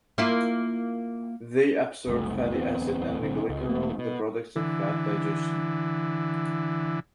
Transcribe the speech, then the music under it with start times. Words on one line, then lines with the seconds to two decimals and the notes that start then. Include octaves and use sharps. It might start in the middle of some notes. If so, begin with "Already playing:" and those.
They absorb fatty acid and glycerol, the products of fat digestion.
0.18 A#3 E4 F4
2.08 F#1 C2 A3
2.55 D1 E2 B3 C4
3.20 B1 A2 D3 C4
3.49 C#2
3.69 E1 E2 A3 A#3
3.98 B2
4.56 D3 E3